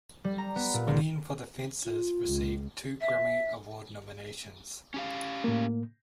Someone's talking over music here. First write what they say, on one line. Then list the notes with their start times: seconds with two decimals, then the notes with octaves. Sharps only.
"Swingin' for the Fences" received two Grammy Award nominations.
0.24 G3
0.38 A#5
0.56 B3
0.74 A#2
0.88 C#2
1.85 F4
2.26 C#2
3.01 E5
4.94 C#4 G4 F5
5.44 A2 A#3